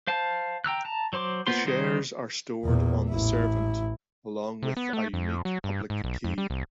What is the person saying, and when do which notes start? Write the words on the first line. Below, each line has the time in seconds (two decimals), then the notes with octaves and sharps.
The shares are stored on the servnet along with a unique public key.
0.07 C5 F5 A5
0.64 G5 A#5 E6 F#6
0.85 A5 A#5
1.13 F#3 C5 C6 D6
1.47 A#3 B3 F4 C5 C6
1.65 D#3 G3 D#4 C5 D#5
2.64 E2 A#2
3.10 A1 E4
4.63 C3
4.77 B3
4.93 A3
5.13 F2
5.45 F#3
5.64 G2
5.90 G#2
6.04 B1
6.24 F2
6.38 G3
6.50 C2